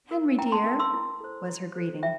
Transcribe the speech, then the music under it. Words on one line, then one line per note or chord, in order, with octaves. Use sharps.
"Henry dear--" was her greeting.
A#4
E4 G5 A#5
A5 C6
A#4
C6 E6
E4
A4 C5
E4
A4 C5
F4 E5 G5